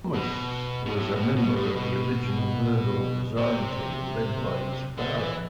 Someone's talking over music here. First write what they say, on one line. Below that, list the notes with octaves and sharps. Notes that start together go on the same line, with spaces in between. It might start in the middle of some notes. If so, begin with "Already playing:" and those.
Thomas was a member of the original Merville design team led by his father.
B2
B2
A2
B2
B2
A2
B2
C3
D3
E3